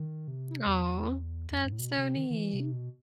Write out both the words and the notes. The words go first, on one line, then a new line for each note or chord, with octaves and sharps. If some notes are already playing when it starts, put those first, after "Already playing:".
Aw. That's so neat.
Already playing: D#3
C3
E2
E2
F#2
G2
A2
B2
C3
D#3
D#3
E3
C3
B2